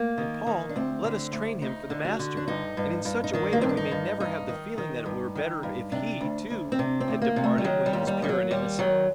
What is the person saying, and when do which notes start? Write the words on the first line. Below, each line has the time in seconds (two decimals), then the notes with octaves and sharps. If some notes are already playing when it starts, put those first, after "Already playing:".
And, Paul, let us train him for the Master and in such a way that we may never have the feeling that it were better if he, too, had departed when he was pure and innocent.
Already playing: A#3
0.18 D#3
0.46 D#3
0.69 D4
0.76 D2 C4
1.04 D3
1.32 D2
1.62 D2 D#4
1.90 D3
2.05 F#4
2.19 D3
2.37 D4
2.48 G2 D#4
2.77 G2
3.05 G2
3.24 D#4
3.33 D#3 D4
3.53 A#3
3.61 G2 C4
3.69 D4
3.77 D#4
3.91 G2
4.20 G2 D#4
4.49 D#3
4.78 D#3
5.06 G2
5.35 D#3
5.63 G2
5.92 C3 D4
6.21 D2
6.50 D2
6.72 C4
6.79 C3 D4
7.00 C4
7.08 D2
7.22 A#3
7.36 C3
7.44 A3
7.58 G3
7.64 D#3 F#3
7.86 G3
7.93 D#2
8.07 G3
8.22 D#3 G3
8.29 F#3
8.51 D#2 G3
8.79 D#3 F#3